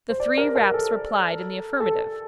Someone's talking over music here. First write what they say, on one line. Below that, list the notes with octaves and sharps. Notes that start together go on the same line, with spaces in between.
The three raps replied in the affirmative.
C5
D5
A#4
A#4
A4
A4